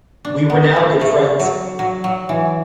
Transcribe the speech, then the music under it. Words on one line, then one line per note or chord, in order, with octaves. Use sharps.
We were now good friends.
D4
B3
A3
A3
F#3
F#3
F#3
E3